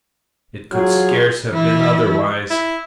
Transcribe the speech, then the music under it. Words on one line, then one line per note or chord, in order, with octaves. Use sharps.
It could scarce have been otherwise.
F#3 F4 G#4
E3 E4
E4